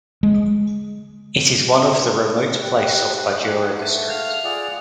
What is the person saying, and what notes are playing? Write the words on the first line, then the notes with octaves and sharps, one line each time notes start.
It is one of the remote place of Bajura District.
G#3
G4 F#6
G#2
F3 G4
A3 F#5
F5 F7
F4 G#4 D5 F#5